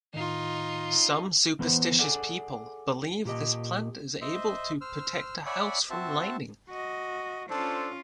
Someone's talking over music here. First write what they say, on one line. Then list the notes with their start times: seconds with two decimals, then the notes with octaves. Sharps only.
Some superstitious people believe this plant is able to protect a house from lightning.
0.14 A2 D#3 D#4 F4
1.59 E3 B3 C5
1.99 G#4 A4 D5 F#5
3.25 A#2 G4 D#5
4.22 C5 D#5 E5
4.81 C5 E6 F6
5.46 C#5 D5 E5 F#5 G#5 B5
5.90 C4 F#4 C5 E5 A5
6.69 F#4 D#5
7.50 C#4 D4 F4 A4 C5